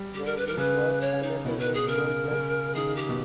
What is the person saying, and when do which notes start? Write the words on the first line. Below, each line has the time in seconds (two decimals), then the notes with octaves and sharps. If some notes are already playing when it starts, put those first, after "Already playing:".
The league was contested by twelve clubs.
Already playing: G3
0.14 G4
0.25 A#4
0.37 B4
0.47 A#4
0.57 C#3 B4
1.01 C#5
1.23 D#4
1.45 B2 E4
1.59 B4
1.74 G#4
1.88 C#3 A#4
2.32 C#3
2.75 D#3 G#4
2.96 G4
3.09 B2